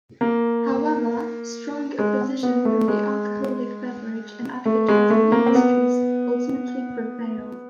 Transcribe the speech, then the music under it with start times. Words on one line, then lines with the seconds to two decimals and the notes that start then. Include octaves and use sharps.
However, strong opposition from the alcoholic beverage and advertising industries ultimately prevailed.
0.21 A#3
1.99 G#3
2.21 C4
2.43 B3
2.65 A3
2.88 G#3
4.65 A3
4.88 G#3
5.10 A3
5.32 A#3
5.46 C4
5.55 B3